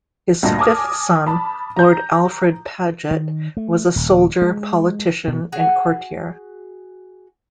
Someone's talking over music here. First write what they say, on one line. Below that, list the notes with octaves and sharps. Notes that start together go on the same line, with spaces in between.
His fifth son, Lord Alfred Paget, was a soldier, politician and courtier.
D2 G2 A#2 D#5 A5 A#6
G#5 A5 D6 D#6 F6
A5 B5
A#5 G6
D#3
A3
D#1
G#3
B2
F#4 G#4 G#5